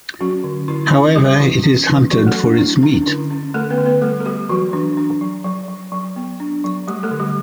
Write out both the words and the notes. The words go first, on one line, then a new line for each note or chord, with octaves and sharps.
However, it is hunted for its meat.
F#3 C#4 F#4
D3
D3 E4
C#4 E4
G3 G4
E3 E4
C#4
E3
F#3 C#4 F#4
A3 A4
F#3
D4
C#4 E4
C#4 D4
D3 E4
C#4
D3 A3 A4
B3 B4
D3
B3 B4
G3 A3 A4
A4
G3 G4
E3 F#3 F#4
E3 D4
D4
F#3
F#3
F#3
F#3
B3
D4
F#3
G3 A3 G4
A3 A4
D3
G3 G4